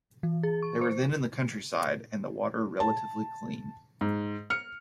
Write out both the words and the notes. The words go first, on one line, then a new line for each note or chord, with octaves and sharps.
They were then in the countryside, and the water relatively clean.
E3
G#4
C#6
C5
A5
G#2
F6 C#7